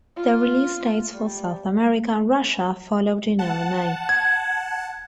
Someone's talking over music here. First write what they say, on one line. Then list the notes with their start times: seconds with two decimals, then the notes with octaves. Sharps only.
The release dates for South America and Russia followed in early May.
0.17 F4
1.14 G3
3.39 F#5 A5
4.09 G#6